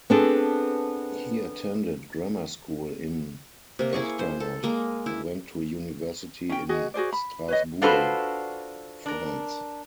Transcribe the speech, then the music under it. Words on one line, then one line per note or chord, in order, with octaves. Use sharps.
He attended grammar school in Echternach and went to university in Strasbourg, France.
B3 C4 D4 G#4 A4
C3 A#3
E4 G#4 C#6
C5
A4
G#3 A#3 D#5
E4
C#4 G5
F#4 G#4 D#5
F#4 G#4 C5 D5
B5
B4 C#5 D#5
D4 F4 F#4 A4 B4 C5
D4 A#4